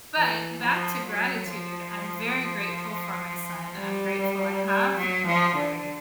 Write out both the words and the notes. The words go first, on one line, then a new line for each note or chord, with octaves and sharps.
But back to gratitude, I'm very grateful for my son, I'm grateful I have a boy.
E3
F3
F#3
F3
G3
G3
F#3
F3
D3